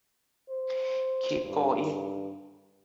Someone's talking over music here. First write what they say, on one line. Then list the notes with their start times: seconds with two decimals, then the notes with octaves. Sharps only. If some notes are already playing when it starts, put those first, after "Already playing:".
Keep going!
0.50 C5
1.45 G2